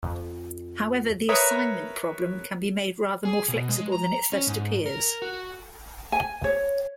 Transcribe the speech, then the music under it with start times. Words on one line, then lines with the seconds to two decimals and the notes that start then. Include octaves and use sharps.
However, the assignment problem can be made rather more flexible than it first appears.
0.03 F2
1.29 A#4 B4 C#5 E5 A#5 D#6
3.25 G#4
3.48 B2
3.69 G#3
3.92 A#5
4.32 C#4
4.47 G#2
4.86 A#4
5.22 F#4
6.12 G#5
6.44 C#5